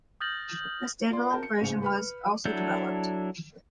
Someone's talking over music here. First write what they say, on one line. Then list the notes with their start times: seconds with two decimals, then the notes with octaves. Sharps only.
A stand-alone version was also developed.
0.21 D#6 F6 G6 A6 A#6 F#7
1.10 F4 D5 C6
1.30 A#4 A5 G6
1.43 C#7
1.61 A1 G#2 C#3 C#7
1.83 B4 B5 F6
2.45 F#3 D4 E4 A4 G6